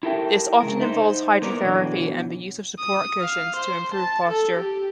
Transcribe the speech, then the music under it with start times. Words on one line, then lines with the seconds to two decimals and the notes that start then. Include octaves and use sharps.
This often involves hydrotherapy and the use of support cushions to improve posture.
0.03 E4 G4 A4 A#4 E5 G5
0.60 C#3 G#3 A#4
0.80 D#4 E4 C5
1.42 A#3 B3 A#4 D5
1.63 B2 D3 E3 F#3
2.79 D#6
3.22 F5
3.56 C5
3.94 A5
4.28 A4
4.57 G4